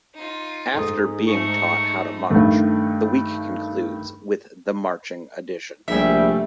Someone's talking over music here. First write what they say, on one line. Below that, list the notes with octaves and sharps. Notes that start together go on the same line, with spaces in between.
After being taught how to march, the week concludes with the marching audition.
D#4 F4
G#2 A4 D#6
G#3 A3 D#4 C#6
G2 D#3 A3
A#1 C3 G3 A3 G#4 E5